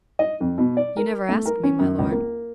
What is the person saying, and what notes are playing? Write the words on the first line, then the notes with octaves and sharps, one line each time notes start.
"You never asked me, my lord."
D#5
F2
B2
D5
A#4
A3
A#4
C#4
F#2
C#2
A#3